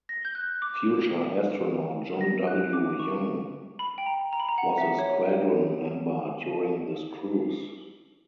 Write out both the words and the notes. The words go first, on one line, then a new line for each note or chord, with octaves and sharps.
Future astronaut John W. Young was a squadron member during this cruise.
A#6
G6
F#6
D6
A#6
F#6
D6
D6
C#6
B5
G5
A#5
A#5
B5
A#5
F#5
F#5
E5
C#5